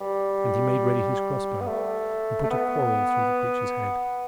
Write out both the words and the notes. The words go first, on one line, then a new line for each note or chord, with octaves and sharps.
And he made ready his crossbow, and put a quarrel through the creature's head.
G3
B3
A3
A3
B3